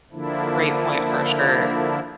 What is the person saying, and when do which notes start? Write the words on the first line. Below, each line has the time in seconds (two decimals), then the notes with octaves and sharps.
great point for sure.
0.13 D3 F3 A#3 D4 E4